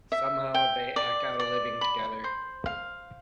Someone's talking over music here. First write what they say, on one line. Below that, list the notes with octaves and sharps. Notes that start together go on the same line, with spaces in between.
Somehow they eke out a living together.
E5
G5
D5
D5
B5
C5
F5